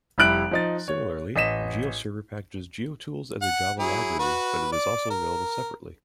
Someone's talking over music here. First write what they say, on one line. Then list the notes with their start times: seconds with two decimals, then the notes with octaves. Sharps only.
Similarly, GeoServer packages GeoTools as a Java library, but it is also available separately.
0.18 F1 G3 E4 F#6 D7 F#7
0.51 F3 D#4 A6
0.88 C#5
1.36 A1 D#5 B6 E7
3.42 F#5
3.79 F#3 E4 G#4
4.19 F#4 B4
4.72 D5
5.10 A#4